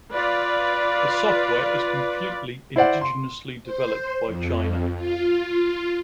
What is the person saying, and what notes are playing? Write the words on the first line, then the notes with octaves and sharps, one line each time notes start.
The software is completely indigenously developed by China.
F4 B4 D5
E4 C5 D5 F#5
C6
C5
F2
F4